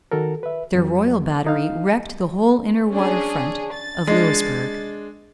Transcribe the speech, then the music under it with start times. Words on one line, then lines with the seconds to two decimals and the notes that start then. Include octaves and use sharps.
Their Royal Battery wrecked the whole inner water-front of Louisbourg.
0.12 D#3 F#4 A4 A#4
0.43 B4 E5
0.75 F2 F#3
1.47 D#4 F5
2.90 C#4 D4 G#4
3.73 A6
4.07 G#3 D4